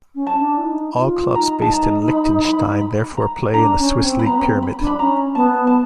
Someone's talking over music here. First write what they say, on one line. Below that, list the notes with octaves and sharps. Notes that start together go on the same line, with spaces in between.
All clubs based in Liechtenstein therefore play in the Swiss league pyramid.
C#4
A5
D4
E4
D#4
F4
D#4 A#5
A5
A#5
B5
B5
B5
A#5
D4 A#5
C#4
C4
B5
B3 A#5
C#4
C4
B5
D4
B5
C#4 A#5
B3 A5
A5